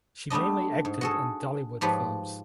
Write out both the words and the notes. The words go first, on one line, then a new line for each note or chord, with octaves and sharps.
She mainly acted in Dhallywood films.
G3 A3 B3 D4 D#5
G#2
F#4 G#4 A4
G#2 F3 G4 B4 C#5